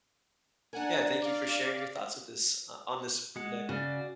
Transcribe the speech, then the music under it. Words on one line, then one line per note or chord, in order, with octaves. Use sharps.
yeah, thank you for sharing your thoughts with this uh, on this with me today.
D4 A#4 F#5 G#5
D5 F5
G#3 F#5
C#3 F#4 D5